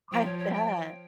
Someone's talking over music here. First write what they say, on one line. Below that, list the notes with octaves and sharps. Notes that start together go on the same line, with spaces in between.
I bet.
F3 G5
C#5
C#5
G5